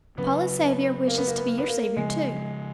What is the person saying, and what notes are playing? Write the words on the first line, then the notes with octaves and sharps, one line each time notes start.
Paula's Saviour wishes to be your Saviour too.
C#3 F#3 B3 C#4
A#3
B3
A#3
B3
A#3
B3
A#3
C#3 F3 G#3 B3